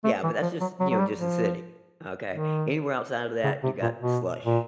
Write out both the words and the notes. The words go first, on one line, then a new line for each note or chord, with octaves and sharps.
Yeah, but that's just you know, just the city, okay? Anywhere outside of that, you got slush.
A3
E3
F3
F#3
F#3
F#3
G3
F3
D#3
C#3
C3
A#2
B2
A#2